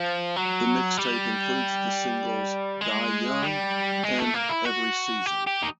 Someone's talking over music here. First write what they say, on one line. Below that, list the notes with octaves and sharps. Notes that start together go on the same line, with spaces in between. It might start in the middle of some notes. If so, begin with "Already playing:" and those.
The mixtape includes the singles "Die Young" and "Every Season".
Already playing: F3
F#3
G3
G#3
G3
G#3
A3
A#3
E4
F#4
G4
G4
D#4